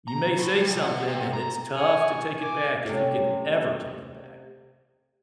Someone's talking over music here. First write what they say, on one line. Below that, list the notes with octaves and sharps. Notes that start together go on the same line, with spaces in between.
you may say something, and it's tough to take it back if you can ever take it back.
A#5
A2
G3
C2
D3
C3
A#5
G#5 C#6
G#5 D6
C3 A3 C#4